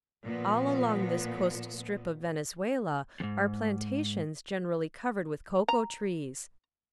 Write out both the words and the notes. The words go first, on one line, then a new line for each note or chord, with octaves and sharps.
All along this coast strip of Venezuela are plantations generally covered with cocoa trees.
A#2 F3 B3
E2 G#2
A#5